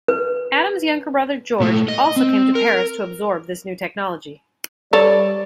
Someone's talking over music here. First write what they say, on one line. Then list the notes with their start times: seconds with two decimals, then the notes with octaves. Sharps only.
Adam's younger brother, George, also came to Paris to absorb this new technology.
0.08 B4
1.60 A#2 A3
1.88 D#5
2.16 C4
2.55 A#4
4.93 G3 A4 B4 C#5 D5